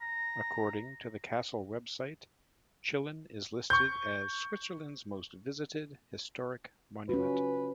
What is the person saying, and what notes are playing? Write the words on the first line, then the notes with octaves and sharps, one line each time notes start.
According to the castle website, Chillon is listed as "Switzerland's most visited historic monument".
A#5
C#6 G6
C#4 F4 F#4 B4